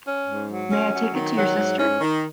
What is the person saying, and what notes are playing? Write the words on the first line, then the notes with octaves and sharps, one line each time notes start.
May I take it to your sister?
C#4
G#2
F#3
C#4
F#3
D#3
F#3
G#2
C#4
D#3